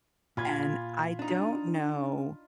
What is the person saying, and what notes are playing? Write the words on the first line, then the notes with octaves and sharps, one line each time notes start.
and I don't know
A#2 F4 B5 G#6
D4 D#4